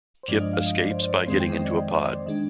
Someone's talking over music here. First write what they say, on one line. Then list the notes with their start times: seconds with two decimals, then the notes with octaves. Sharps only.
Kyp escapes by getting into a pod.
0.23 C5
0.28 G2 F3 G#3 D4 F4 D5
0.41 D#5
0.53 F5
0.66 D#5
0.79 D5
0.91 C5
1.02 D5
1.16 C5
1.27 F2 D#3 G#3 C4 C5
1.40 G5
1.52 D#5
1.65 D5
1.77 D#5
1.90 D5
2.02 C5
2.14 D5
2.26 D#3 G#3 D4 D#5